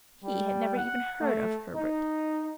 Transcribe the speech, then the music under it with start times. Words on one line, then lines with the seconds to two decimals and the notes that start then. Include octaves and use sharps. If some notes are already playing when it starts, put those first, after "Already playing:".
He had never even heard of Herbert.
0.23 G3
0.76 F#5
1.21 A3
1.74 D#4